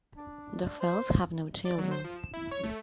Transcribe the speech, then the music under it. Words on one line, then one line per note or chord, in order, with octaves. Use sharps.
The Fells have no children.
D4
C5
D5
F#3
C5
F3
E7
E4
C#5
A3